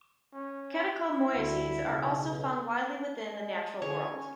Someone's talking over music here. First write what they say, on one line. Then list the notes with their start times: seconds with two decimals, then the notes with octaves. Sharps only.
Catechol moieties are also found widely within the natural world.
0.33 C#4
0.90 E4
1.36 D2
1.86 B1 C#3
3.27 G#3
3.82 D3 G#4 C#5
4.11 C#4